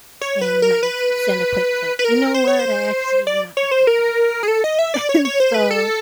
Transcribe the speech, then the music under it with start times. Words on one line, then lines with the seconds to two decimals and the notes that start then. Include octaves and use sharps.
and you might just s send a quick text, "You know what? I actually am not gonna be able to make it." And so,
0.21 C#5
0.41 B4
0.62 A#4
0.83 B4
1.99 B4
2.04 A#4
2.34 C5
2.47 C#5
2.59 C5
3.27 D5
3.57 C#5
3.71 C5
3.87 A#4
4.43 G#4
4.48 A4
4.64 D#5
4.79 E5
4.94 D5
5.09 C#5
5.25 C#5
5.40 C5
5.54 B4
5.71 A4